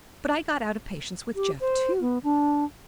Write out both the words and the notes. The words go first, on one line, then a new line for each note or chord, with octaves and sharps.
But I got out of patience with Jeff, too.
G4
C5
B3
D4